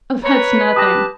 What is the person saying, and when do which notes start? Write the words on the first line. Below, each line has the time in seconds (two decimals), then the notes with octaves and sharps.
"Oh, that's nothing."
0.23 B4 C#5 A#5
0.76 G4 A5 D#6 F#6 A#6